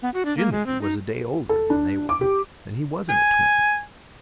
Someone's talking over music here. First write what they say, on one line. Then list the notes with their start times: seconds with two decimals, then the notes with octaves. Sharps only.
Jimmie was a day older than they were, and he wasn't a twin.
0.02 B3
0.14 F#4
0.25 D4
0.37 A#3
0.52 G#3
0.66 C4
0.81 D#4
1.49 A4
1.70 D4
2.09 D6
2.21 G4
3.10 G#5